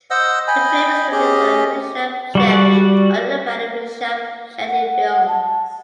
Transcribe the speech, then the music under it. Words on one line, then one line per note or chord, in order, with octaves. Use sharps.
The film is produced by Rishab Shetty under the banner Rishab Shetty Films.
C5 D#5 F#5 E6
D#5 G5 G#5 B5
C#4 G4 G#4 D#5
G3 F#4 D5
F#5
A5